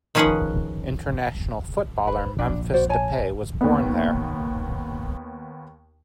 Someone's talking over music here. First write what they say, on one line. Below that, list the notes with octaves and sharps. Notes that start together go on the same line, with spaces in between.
International footballer Memphis Depay was born there.
D#3 F3 C#4 G#4 B4 F#5
B4 C5
A#1 D4
F#4 C5 D5
C#5 G#5 A5
D#2 B3